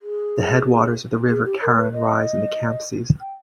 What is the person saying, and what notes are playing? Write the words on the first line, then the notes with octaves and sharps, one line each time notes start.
The headwaters of the River Carron rise in the Campsies.
G#4
G#4
G4
A#4
B4
D#5
G5